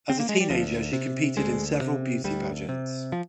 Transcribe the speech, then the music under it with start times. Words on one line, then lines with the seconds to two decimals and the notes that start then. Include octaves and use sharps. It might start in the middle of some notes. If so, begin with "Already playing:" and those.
As a teenager she competed in several beauty pageants.
0.10 C4
0.20 A#3
0.29 G#3
0.40 G3
0.50 D2 F3
0.93 C3
1.37 D2 G#3
1.81 C3
2.24 D2 G3
2.69 C3
3.12 F3